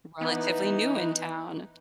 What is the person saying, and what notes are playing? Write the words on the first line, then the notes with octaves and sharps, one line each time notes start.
"Relatively new in town."
E3 B3 D#4